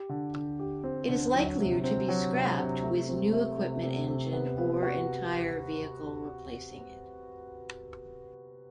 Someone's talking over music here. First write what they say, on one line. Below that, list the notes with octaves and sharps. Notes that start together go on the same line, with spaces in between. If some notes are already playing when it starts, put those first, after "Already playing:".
It is likelier to be scrapped, with new equipment-engine or entire vehicle-replacing it.
Already playing: G4
D3
D3
G4
C4
D3
F#3
C3
C4
F#3
C3
C3
A3
C4
A3
C3
C3
C3
B3
B3
F#4